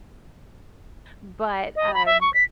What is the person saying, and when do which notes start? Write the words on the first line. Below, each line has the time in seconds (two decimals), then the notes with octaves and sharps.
but, um,
1.76 D#5
1.94 B5
2.06 E5
2.21 C#6
2.34 B6